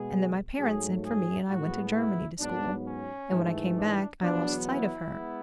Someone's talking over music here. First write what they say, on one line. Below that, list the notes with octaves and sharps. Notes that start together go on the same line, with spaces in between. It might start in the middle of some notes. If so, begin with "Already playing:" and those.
And then my parents sent for me, and I went to Germany to school; and when I came back I lost sight of her.
Already playing: B2 G#3 B3 G#4
G#2 F#3 A3 G#4
G#4
A2 G#3 B3 F#4
E4
G#2 F#3 B3 D4
C#4
G#2 E3 A3
D4
E2 B2 F#3 B3 D4
E4
G#3 B3